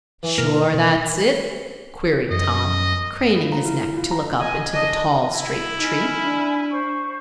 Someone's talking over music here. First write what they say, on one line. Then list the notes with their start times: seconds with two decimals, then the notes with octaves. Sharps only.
"Sure that's it?" queried Tom, craning his neck to look up into the tall, straight tree.
0.23 E3
0.38 B2 A#3 A#4
0.74 B2
2.30 F#2 D#5
3.36 F4
3.52 A#5
3.65 E4
3.97 F4
4.11 A#5
4.40 D#5 G#5
4.72 D4 D#5
5.32 E4
5.80 D#4 G#5 B5 F6
6.24 D4
6.70 C5 C#6